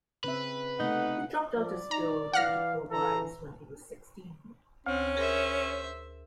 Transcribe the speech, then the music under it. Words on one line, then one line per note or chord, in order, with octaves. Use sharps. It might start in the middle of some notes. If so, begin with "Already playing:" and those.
He dropped out of school, due to poor grades, when he was sixteen.
C#3 C4 B4 E5
C3 A3 B3 D#4 F#5
F3 D5
D#4 A#5
E3 F5 F#5 F6 A#6
E3 A4 A#5
D2 C4 C#4
G#4 A#4 C5 E5